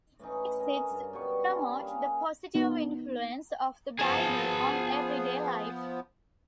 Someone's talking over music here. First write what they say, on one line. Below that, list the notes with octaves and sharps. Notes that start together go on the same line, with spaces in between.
It exists to promote the positive influence of the Bible on everyday life.
A2 E3 C#4 D#4
D#4 A#4 G#5 A#5
G2 C#3
B2 G3 B3 C#6
G3 A#3 C#4 B5
G#4 A#4 F5 G#5
B3 D#4
F3 B3 G#4 A5